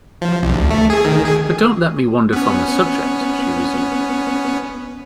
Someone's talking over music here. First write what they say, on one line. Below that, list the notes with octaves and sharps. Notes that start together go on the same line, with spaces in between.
"But don't let me wander from the subject," she resumed.
F3
C2
D2
A3
G#4
D#3
G#4
B3 C#4